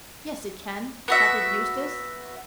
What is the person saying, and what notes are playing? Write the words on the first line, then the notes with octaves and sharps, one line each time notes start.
"Yes, it can," shouted Eustace.
B3 F#4 E5